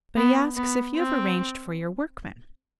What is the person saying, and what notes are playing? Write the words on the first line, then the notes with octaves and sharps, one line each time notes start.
But he asks if you have arranged for your workmen.
B3
B3
C4